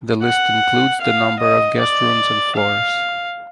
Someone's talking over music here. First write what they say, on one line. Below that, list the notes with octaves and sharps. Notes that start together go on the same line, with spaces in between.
The list includes the number of guest rooms and floors.
F#5
F5
D#5
D5
F5